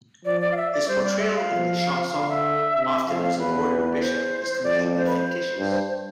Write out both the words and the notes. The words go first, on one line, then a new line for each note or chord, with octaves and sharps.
His portrayal in the "chansons", often as a warrior-bishop, is completely fictitious.
F3 D5
D5
F5
E5
D5
G3 C5
D5
E5
F5
F3
D3 F5
E5
C3
F2 F5
F5
E2 B4
D5
C5
F2 D5
C5
B4
C5
G2